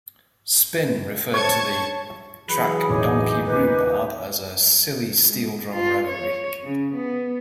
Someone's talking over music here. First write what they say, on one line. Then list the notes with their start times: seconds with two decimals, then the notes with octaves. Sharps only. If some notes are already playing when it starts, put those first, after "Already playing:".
"Spin" referred to the track "Donkey Rhubarb" as a "silly steel drum reverie".
1.34 C#5 A5 C#6 G#6
2.49 E3 F#3 G#4 B4 B5 F#6 C#7
2.89 E1 A1 C3 D#4 C#5 G#5 D6
3.46 D#2 B4
5.26 G#3
5.70 F4
6.08 C#5
6.64 C#3
6.95 B3